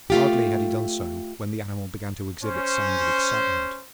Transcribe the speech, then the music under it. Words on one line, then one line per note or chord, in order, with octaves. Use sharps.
Hardly had he done so when the animal began to exhibit signs of excitement.
A3 F4 G4
C#4 C5